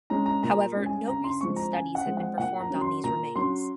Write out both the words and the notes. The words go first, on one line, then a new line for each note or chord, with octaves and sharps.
However, no recent studies have been performed on these remains.
G#3 C#4 A#5
A#5
A#2 A#5
G#3 C#4
G#5
C#3 A#5
C6
F3 G#3 C4 C#6
A#5
C#3 G#5
F#5
F3 G#3 C4
F#5
A#2 F#5
A#5
F#3 C#4
C6
A#2 A#5
F#3 C#4 C6